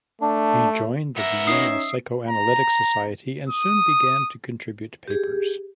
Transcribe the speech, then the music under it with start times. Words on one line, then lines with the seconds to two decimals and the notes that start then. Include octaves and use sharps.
He joined the Vienna Psychoanalytic Society and soon began to contribute papers.
0.21 A3 D4
1.17 B3 A#4 E5
1.47 C#4 D#4 D#6 E6 C7
2.29 A#5
3.49 D#6
5.08 G4 G#4